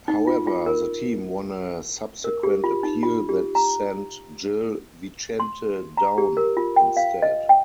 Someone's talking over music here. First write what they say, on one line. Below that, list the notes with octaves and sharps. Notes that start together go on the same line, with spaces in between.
However, the team won a subsequent appeal that sent Gil Vicente down instead.
D#4
F4
F4
A#4
A#4
G4
F4
D#4
F4
G4
A#5
C6
A#5
G4
A#4
F4
G5
F5
D#5
G5